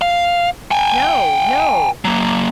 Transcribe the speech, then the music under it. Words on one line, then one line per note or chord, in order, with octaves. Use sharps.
"No, no!"
F5
G5 G#5
F#3 A#3